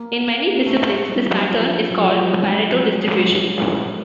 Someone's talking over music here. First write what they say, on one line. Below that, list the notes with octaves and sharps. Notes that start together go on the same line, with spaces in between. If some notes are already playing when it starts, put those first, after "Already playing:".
In many disciplines this pattern is called a Pareto distribution.
Already playing: A#3
A3
G3
F#3
F3
F#3
F3
F#3
G3
G#3
F3
F#3
G#3